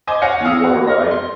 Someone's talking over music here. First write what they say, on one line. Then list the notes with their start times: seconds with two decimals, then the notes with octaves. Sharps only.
Do You Wanna Ride?
0.07 C5 D#5 G#5 D6
0.22 C#5 F5 F#5 G#5 A#6 C#7
0.45 F5 D#6 E6 C#7
0.64 F#4
0.87 F6 A#6
1.11 C6